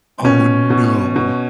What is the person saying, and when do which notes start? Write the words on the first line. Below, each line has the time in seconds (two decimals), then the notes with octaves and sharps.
Oh, no.
0.24 B2 C#4
0.70 B2
1.16 B2